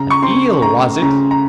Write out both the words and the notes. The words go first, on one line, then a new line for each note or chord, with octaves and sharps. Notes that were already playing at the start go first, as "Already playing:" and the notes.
An eel, was it!
Already playing: C#3 A#5
C#6
C4 C6
A3 A#5
C#3 A#5
A#5